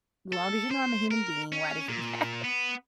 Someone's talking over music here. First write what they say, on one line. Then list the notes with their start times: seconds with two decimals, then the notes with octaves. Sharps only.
"Long as you know I'm a human being, why does it matter?
0.33 A4
0.71 C5
1.11 A#4
1.52 C#4
1.89 A#2
2.44 B3